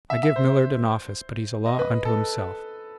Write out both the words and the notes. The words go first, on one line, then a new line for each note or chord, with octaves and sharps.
I give Millard an office but he's a law unto himself.
E5
E5
C5
D#5
B4
A4